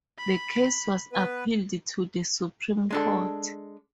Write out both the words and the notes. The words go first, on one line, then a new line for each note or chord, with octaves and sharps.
The case was appealed to the Supreme Court.
B5
B3 B4
G#3 D4 A4